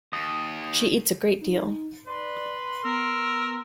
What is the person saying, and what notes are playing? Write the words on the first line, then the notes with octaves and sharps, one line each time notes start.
She eats a great deal.
D#2 D#6
D#4
B4 D5 C6
B3 A#4 E6